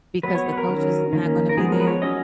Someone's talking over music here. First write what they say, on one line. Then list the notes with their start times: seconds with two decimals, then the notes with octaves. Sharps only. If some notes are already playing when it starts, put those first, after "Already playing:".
Because the coach is not gonna be there?
0.23 F#3 B3 B4
0.35 C#5
0.46 C#5
0.52 B4
0.58 A#4
0.68 D#3 F#3 C#4
1.13 D#3 A#3 C#4
1.49 A#4
1.57 F3 G#3 B3 G#4
1.72 A#4
1.80 B4
1.87 C#5
2.02 F#3 C#4 D#5